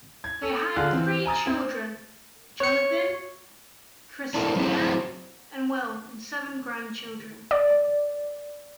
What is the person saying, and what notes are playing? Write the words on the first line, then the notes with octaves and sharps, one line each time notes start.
They had three children, Jonathan, Christianne and Will, and seven grandchildren.
G#6
A4
D3 F4 G#4 F5 F6 F#6
E3 C4
G#5 A#5 D#6 A6
C4
C#5 C#7
D4 E4 A4 A#4 C5
F#3 A3 C4 E4 G#4 C5
D5